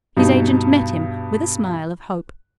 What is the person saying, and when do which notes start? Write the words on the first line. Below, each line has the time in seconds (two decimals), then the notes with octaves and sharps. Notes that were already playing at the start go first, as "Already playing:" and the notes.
His agent met him with a smile of hope.
0.17 G2 B2 D#4